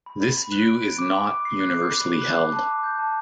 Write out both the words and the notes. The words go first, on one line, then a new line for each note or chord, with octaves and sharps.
This view is not universally held.
B5
B5
B5
F#6
D7
D7
D6
D6
D6
C7
F#6
D6
B5
B5
F#6
D6
A5
D6
G6
A5